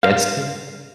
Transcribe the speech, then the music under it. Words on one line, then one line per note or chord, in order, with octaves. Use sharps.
Against you?
F5